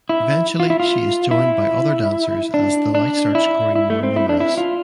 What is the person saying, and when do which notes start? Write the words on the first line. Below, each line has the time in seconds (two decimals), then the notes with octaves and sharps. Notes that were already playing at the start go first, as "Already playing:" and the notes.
Eventually she is joined by other dancers as the light starts growing more numerous.
0.09 E4
0.60 F4
0.70 E4
0.80 F4
1.31 E4
2.54 D4
2.95 D4
3.35 E4
3.76 E4
3.90 A3
4.03 C4
4.16 E4
4.29 D4
4.40 E4
4.57 F4